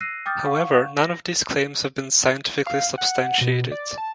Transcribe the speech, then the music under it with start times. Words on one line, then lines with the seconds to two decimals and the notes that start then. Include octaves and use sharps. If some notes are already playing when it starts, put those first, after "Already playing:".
However, none of these claims have been scientifically substantiated.
0.01 E6 F#6 A#6 C7 D#7
0.26 G5 D6 D#6 F6 G6 A6
0.45 F5 F#5 C#6
0.97 A#6
2.66 F5
2.98 F#5
3.41 B2
3.71 D5
3.98 A5